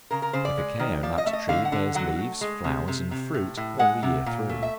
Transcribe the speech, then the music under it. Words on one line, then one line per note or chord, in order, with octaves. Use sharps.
The cacao-nut tree bears leaves, flowers, and fruit, all the year through.
C#3 A#4
A#4
C#3 C5
D5
G#3
D#3
F3 D5
D#5
A3 E5
D#5
D3 F5
F#5
D3
F#3 F#5
A3
G#3
C3
C3
C3
A2
A2
G#3 F#5
C3
A#2
A3
E5